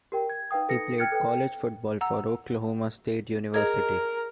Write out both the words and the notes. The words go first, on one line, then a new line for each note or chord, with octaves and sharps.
He played college football for Oklahoma State University.
G4 A#4 G5
G#6
D#4 B4 F5 G5 D#6
D#4 A4 B4 D#6 A#6 C#7
G5 F6 F#6 G#6 A6 C#7
A4 B4 G5
F#5 A#5 E6
G#4 A#4 D#5 G#6